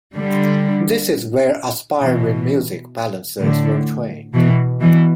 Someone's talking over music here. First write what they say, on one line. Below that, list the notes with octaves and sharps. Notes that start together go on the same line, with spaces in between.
This is where aspiring music balancers were trained.
D3 G3
B2 E3
A2 D3
B2 E3
B2 E3